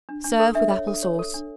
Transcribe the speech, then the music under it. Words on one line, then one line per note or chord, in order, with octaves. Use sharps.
Serve with apple-sauce.
D4
D4
A4
D4 E5
C#5
A4
C#5
A4
D4